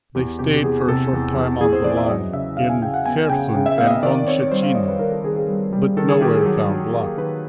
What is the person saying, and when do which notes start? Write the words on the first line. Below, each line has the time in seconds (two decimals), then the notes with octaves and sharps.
They stayed for a short time on the line, in Kherson and Donshchina, but nowhere found luck.
0.15 E2 G4
0.39 C3 G4
0.56 G4
0.63 E2 G#4
0.87 C3 A4
1.13 E2
1.36 E2
1.61 E3 G#4
1.73 C5
1.84 E3 D5
1.97 E5
2.09 F#3 D#5
2.33 C#3 E5
2.57 C#3 F5
2.69 G#5
2.82 C#3 G5
2.94 F#5
3.06 B3 G#5
3.30 C#3 G5
3.54 C#3
3.66 E5
3.78 B3 F5
3.86 D#5
3.91 E5
4.03 D#3 D5
4.27 C4 C#5
4.40 C#5
4.52 G3 C5
4.63 F5
4.75 D#3 D#5
4.88 B4
4.99 D#3 A#4
5.12 A4
5.24 D#3 G#4
5.36 G#4
5.48 G3
5.73 G3
5.97 D#3 A4
6.09 G#4
6.21 D#3 G4
6.35 G#4
6.45 F#3
6.69 F#3
6.93 A#3
7.18 D#3 B4